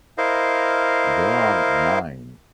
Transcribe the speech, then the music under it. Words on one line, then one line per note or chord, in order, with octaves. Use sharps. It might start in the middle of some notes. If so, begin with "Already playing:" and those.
There are nine.
E4 A#4 C5 D#5 F5